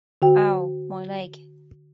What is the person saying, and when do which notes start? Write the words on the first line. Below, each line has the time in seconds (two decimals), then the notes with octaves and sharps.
Ow! My leg!
0.22 D3 F#4 G5